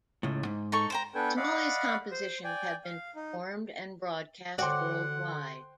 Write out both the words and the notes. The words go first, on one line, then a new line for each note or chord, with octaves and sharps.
Smalley's compositions have been performed and broadcast worldwide.
C#2 A2
G#2
D#4 A4 C#6
C5 G5 A#5
B3 D4 A4 B4 G5 G#5
D5 D#5 F5 F#5 B5
C5
D5 G5 G#5
F5
D#4
D3 F#4 C5 D5 F#5 G5 C6